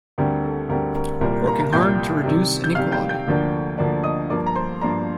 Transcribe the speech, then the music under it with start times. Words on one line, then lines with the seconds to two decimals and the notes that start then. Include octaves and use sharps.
Working hard to reduce inequality.
0.18 D2 D3 G3 C4 A#4
0.44 A4
0.69 D2 D3 G3 C4 A#4
0.95 A#4
1.21 C2 A#2 G3 A#3 A#4
1.46 A#4 A#5
1.59 A#4 A#5
1.73 C2 A#2 G3 A#3 G5 G6
2.23 C3 D#3 G3
2.64 G6
2.75 C3 D#3 G3 F5 F6
2.92 G5 G6
3.09 G5 G6
3.28 D2 D3 F3 A#3 D4
3.78 D2 D3 F3 A#3 D4
4.04 D#5 D#6
4.30 G2 F3 A#3 D4 D5 D6
4.47 A#5
4.55 C5 C6
4.81 G2 F3 A#3 D4 A#4 A#5